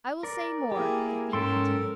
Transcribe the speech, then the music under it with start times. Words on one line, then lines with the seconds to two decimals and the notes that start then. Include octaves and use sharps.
"I will say more," the thief continued.
0.23 A#4 D5
0.72 A#3 E4 G4 G#4
1.33 G#2 C#4 A4 A#4 G5 C6